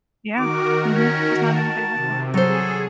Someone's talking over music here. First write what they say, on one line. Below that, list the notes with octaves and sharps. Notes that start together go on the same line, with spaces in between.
Yeah, mhm, 'cause not everybody has one.
D#3 F#4 A#4 D6
C#4
A5
C3
F#3 G#4 A4 C5